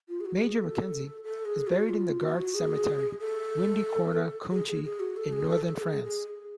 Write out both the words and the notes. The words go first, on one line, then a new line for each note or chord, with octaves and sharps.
Major Mackenzie is buried in the Guards Cemetery, Windy Corner, Cuinchy, in Northern France.
F4
G#4
F#4
G#4
A4
A4
G#4
F#4
F4
F#4
G#4
A4
G#4
G#4
G#4
F#4
A4
G#4
A4
A4
G#4
G#4